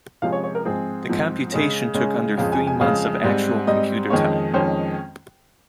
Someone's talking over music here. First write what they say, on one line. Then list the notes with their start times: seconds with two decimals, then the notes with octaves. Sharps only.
The computation took under three months of actual computer time.
0.22 C3 F3 G#3 C#4 F5
0.33 C#5
0.44 C#5
0.55 A#4
0.65 G#2 F3 C4 G#4
1.09 G#2 F3 C4
1.52 C#3 G#3 C#4
1.94 C#3 G#3 C#4
2.38 F2 C#3 G#3 F5
2.52 G#5
2.67 G#5
2.81 F2 C#3 G#3 F5
3.23 G#2 G3 C4
3.67 G#2 G3 C4 D#5
4.10 F2 D#3 G#3 C#4 C#5
4.53 F2 D#3 G#3 C#4 C5